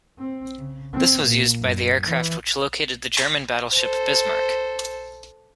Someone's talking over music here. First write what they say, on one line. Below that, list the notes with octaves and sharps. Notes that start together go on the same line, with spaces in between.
This was used by the aircraft which located the German battleship Bismarck.
C4
C#3
C4
A#2
F#2
E3
A4 C5